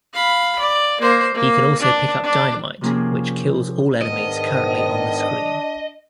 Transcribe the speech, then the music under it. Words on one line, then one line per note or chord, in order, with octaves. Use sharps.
He can also pick up dynamite, which kills all enemies currently on the screen.
F5 B5
D5
A#3 C5
A#3
D4
D4
C3 F3 A#3 C4 C#4 G#4
G#2 D#3 B3 D4 D#5